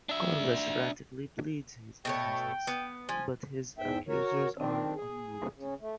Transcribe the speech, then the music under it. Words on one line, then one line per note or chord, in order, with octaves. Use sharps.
Corliss frantically pleads his innocence, but his accusers are unmoved.
D4 E5
B2 A3 C#5 G5
B3
F3 G#5
E2 G#2 E5 G5
F#4 A#4 C#5
D#3 C4 D4
G#4
C#3
A3